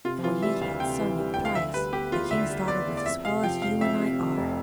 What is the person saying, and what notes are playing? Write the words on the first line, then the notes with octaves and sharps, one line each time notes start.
And when he had sung it thrice, the King's daughter was as well as you and I are.
C3 F4
E3 F4
G3 E5
D2 F5
C3 G5
E3
G3
D2 G5
F5
D3 E5
G3 B4
B3 G4
E2 F4
D3 E5
G3
B3 D5
E2
D5
F2 E5
C3 F5
F3 G5
F1 F5
F2 E5
C3
F3
F1